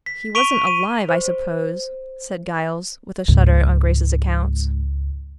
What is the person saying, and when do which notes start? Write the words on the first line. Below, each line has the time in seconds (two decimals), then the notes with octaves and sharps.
"He wasn't alive, I suppose?" said Giles, with a shudder on Grace's account.
0.06 B6
0.35 C#6 B6 D7 D#7 F7 G7
0.67 D#7
1.09 C5
3.28 C#2 G#2